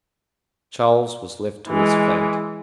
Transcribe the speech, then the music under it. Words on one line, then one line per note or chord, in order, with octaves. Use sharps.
Charles was left to his fate.
E3 G#3